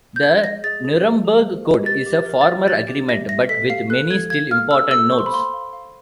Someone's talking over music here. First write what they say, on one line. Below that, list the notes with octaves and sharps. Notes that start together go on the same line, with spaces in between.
The Nuremberg Code is a former agreement, but with many still important notes.
G6
G#4 G#6
D#5 A#6
G#4 A6
G#4
G#4
G#4
C5
D#5
G4 A6
G4
A6
A#4
A6
C#5
E5 A6
G4
E5 A#6
E5 A#6
A4 B6
F5 C7
A4 F#6
A4 G#6
F5 G#6
F5 F6
A4 E6
A4 E6
C5 C#6
C6
B5
F5 C6
F5
F5